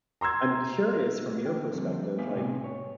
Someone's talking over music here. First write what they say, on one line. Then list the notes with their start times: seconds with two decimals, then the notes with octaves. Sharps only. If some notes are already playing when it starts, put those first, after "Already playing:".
I'm curious from your perspective, like,
0.21 A#5 C6 E6 G#6
1.45 D3 G5
1.73 D3 F3 G3 A3 A#3 C4
2.18 A3 B3 G4 E5 F5 G#5
2.34 A2 C3 B3 C4 D4 G#5
2.64 C#5